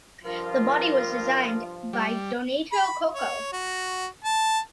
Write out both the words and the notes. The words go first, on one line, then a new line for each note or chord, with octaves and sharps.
The body was designed by Donato Coco.
G2 F3 F4 A#4
G3
B5
C#5
F#4
A5